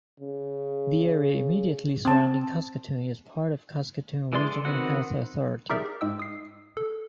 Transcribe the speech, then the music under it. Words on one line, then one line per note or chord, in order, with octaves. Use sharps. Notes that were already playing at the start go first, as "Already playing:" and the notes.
The area immediately surrounding Saskatoon is part of the Saskatoon Regional Health Authority.
C#3
C4 A5
E3 G#3 D5 C6
D3
D#3 B3 C4 F#4 F#5
D#4 G4 G#4 A#4 D5 E5
G#2 G#3 G5 E6
D#6 C7
A4